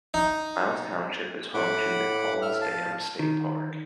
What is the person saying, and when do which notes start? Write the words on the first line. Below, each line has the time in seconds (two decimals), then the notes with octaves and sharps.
Miles Township is home to McCalls Dam State Park.
0.14 D#4
1.54 A2 F#5 B5 D6
2.42 E5 F6
2.61 F5 A5
3.19 D#3